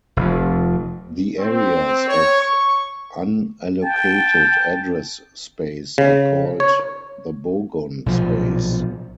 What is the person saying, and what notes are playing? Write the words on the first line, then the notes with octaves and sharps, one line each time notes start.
The areas of unallocated address space are called the bogon space.
F1 F2
C4
C#5
C#6
G5 A5
C#3
C#5
B1 A#2 F3